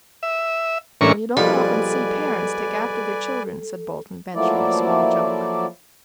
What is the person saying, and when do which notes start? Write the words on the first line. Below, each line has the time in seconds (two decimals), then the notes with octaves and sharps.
"Well, you don't often see pairents take after their children," said Bolton, venturing a small joke.
0.23 E5
1.01 A2 E3 C#4 D4 A#4 C#6
1.37 A#1 B2 F3 G3 A4 B4 D5 G#5
4.35 F3 F#3 A3 A#3 E4 D5